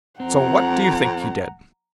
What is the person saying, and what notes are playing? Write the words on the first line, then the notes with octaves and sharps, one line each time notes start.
So what do you think he did?
F2 C4 F#5 A#5